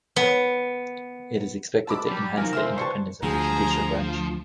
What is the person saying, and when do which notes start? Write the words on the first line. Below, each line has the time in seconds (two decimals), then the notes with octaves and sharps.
It is expected to enhance the independence of the judicial branch.
0.16 B3
1.87 D2 G#3 A5 B5 D6 E6
2.07 F#3 G3
2.37 D#3 F3 F#3 D#4 A#4 G#5
2.53 C#2 C5 E5 E6
2.78 G3 B4 C5 A5 C#6
3.23 D2 F3 G#4 A#5